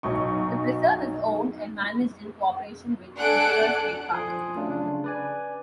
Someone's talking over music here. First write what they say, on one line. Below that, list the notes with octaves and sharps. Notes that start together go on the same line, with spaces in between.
The preserve is owned and managed in cooperation with Mayer State Park.
B1 F#3 D#4 C#6
D4 A4 F#5 G#5 F#6 D7
F3 G#5 C6 D#6
F#3 A3 C#4 D4 F4
C#3 D4
B4 D5 G#5